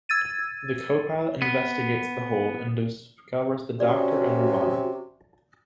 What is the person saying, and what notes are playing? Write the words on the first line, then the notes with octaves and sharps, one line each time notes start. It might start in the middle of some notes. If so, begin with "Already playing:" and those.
The Co-Pilot investigates the hold and discovers the Doctor and Romana.
E6 G#6 A6 D#7
B3
C3 C#4 F#4 D5